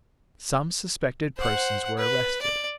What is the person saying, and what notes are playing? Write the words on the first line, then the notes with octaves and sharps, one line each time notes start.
Some suspected persons were arrested.
C5 F#5
B4
D5